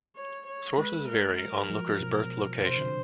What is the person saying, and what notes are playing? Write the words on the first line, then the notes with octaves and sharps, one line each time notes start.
Sources vary on Looker's birth location.
C#5
C#5
G#3 B4
A#4
F#3 A#4
F#3
F3
B2
C3 C5
D3